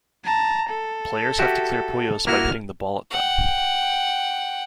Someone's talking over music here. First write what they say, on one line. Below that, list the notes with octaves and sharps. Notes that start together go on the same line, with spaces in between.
Players have to clear Puyos by hitting the ball at them.
A5 A#5
A4
F#4 G4 E5
A#3 E4 F#4 F6
F#5 G5